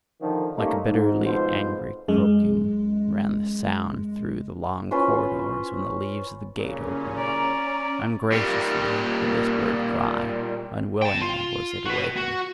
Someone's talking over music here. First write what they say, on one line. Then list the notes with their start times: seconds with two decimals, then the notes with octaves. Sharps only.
Like a bitterly angry croaking ran the sound through the long corridors when the leaves of the gate opened: ungraciously did this bird cry, unwillingly was it awakened.
0.21 D3 D#3 F3
0.56 G3 A3 A#3 C#4 D#4 F4
0.86 G#2
1.25 F2 G#2 B2 F4 C5
2.08 F#2 G#3
4.91 C#4 F4 B4 C5
6.57 C2 A#2 C#3 C#4
7.17 D5 A#5
8.32 A#2 G3
11.02 G5 A5
11.21 F4
11.85 F#4 B4
12.16 F#4